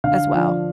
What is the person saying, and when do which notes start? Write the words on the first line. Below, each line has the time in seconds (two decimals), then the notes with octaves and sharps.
as well?
0.04 D3 F5
0.33 F3 D4